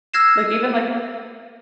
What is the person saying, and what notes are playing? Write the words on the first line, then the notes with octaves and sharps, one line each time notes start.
Like, even, like,
E6 F6 G#6 A#6 C7 E7